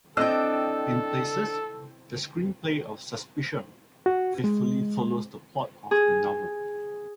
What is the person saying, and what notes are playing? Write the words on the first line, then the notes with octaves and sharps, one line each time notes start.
In places, the screenplay of "Suspicion" faithfully follows the plot of the novel.
C4 D4 E4 A4 D#5 G5 E6
F#4
G#3
G#4